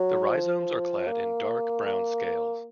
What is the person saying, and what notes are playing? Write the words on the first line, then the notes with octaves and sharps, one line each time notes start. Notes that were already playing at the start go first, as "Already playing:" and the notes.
The rhizomes are clad in dark brown scales.
Already playing: F#3
F3
A#3
A#3